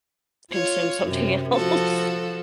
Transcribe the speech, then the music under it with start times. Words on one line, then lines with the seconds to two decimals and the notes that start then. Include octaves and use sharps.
consume something else.
0.53 F4 C#5
1.05 F#2 C3
1.54 F3 F#4 A4